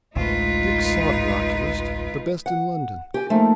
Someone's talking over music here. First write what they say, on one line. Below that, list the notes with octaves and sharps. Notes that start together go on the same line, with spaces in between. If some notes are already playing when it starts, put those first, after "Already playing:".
Dick sought an oculist,--the best in London.
A1 D2 G#3 D#4 F4 B4
F#5
G4 G#5
F3 A3 A#3 D#4